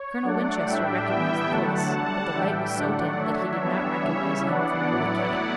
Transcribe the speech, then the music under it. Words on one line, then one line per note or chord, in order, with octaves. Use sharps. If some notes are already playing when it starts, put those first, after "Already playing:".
Colonel Winchester recognized the voice, but the light was so dim that he did not recognize him from whom it came.
Already playing: C#5
F#3 A3 D4 D5 F#5
A2 G3 D4 E5 G5
E3 G3 B3 E4
D3 F#3 A3 F#5 A5
D3 G3 D4
A2 E3 G3 E5 G5
D3 F#3 A3 D4 D5 F#5
F#3 A3 D4 C#5 E5
E3 G3 B3 D4
C#3 G3 C#4 E4
E3 B3 D4 D5 F#5
A2 F#3 B3 E4 D5 F#5